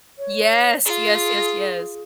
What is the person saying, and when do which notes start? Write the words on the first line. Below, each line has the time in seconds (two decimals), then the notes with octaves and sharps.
Yes, yes, yes, yes.
0.18 C#5
0.85 F4 G#4